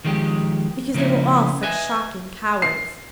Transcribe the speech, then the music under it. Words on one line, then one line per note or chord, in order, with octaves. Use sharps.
'Because they were all such shocking cowards.'
D#3 F3 G#3 G4
C#3 F3 A#3 C#4 E4
B4 D#5 E5 G#5
C7